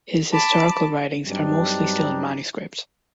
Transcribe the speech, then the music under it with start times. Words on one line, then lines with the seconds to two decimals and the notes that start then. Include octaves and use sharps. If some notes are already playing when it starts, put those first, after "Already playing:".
His historical writings are mostly still in manuscript.
0.33 A5 B5 D6
1.27 G2 F#3 G3 C4 D4 D#4